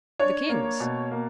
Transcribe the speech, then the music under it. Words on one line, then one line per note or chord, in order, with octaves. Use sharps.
The king's.
D4 C#5
A#3
B2
A#3